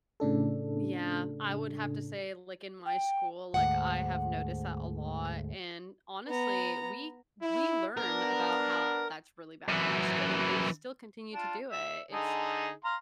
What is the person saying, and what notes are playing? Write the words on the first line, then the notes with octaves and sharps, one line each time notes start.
Yeah, I would have to say, like, in my school, like, I have noticed that a lot, and honestly, we we learn about how that's really bad for your skin, and they still continue to do it, it's
A2 C#3 D4 A4
G5
D2 G#2 F#5
B3 A#5
E4
B3 D4 A#4
F#2 E3
D4 F4
E5
D3 D#4 G#4
F5 A#5 C6